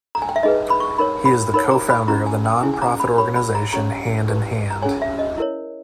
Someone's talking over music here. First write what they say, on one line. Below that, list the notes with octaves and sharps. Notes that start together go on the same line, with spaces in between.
He is the co-founder of the non-profit organization Hand in Hand.
A#5
G#5
G5
E5
D#4 G#4 B4 D#5
B5
C#6
D#4 A#4 C#5 B5
B5
D#4 A#4 C#5 B5
A#5
B5
C#4 E4 G4 A#5
G#5
G5
C#4 E4 G#4 G#5
G#5
A#5
B5
G4 C#5 B5
B5
A#5
C#4 G4 C#5 A#5
E4 G4 B4
A#5
C#4 G#4 C#5 G#5
E5
D#5
E4 A#4 C#5